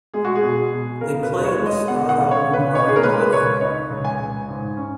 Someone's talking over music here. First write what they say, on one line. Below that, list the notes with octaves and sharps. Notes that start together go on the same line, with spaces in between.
They play at the Stade Omar Hamadi.
G#3 G#4
F#4
G#4
B2
B2
C#3 A#4
B4
D#2
C#5
G#3
D#5
B3 F#5
F#5
C#3
C#5
C#3
B4
D#4 C#5
G#4
A#4
G#3 B4
C#2 C#5
D#4 C#5
C#2
G#5
C#2
G#2
C#4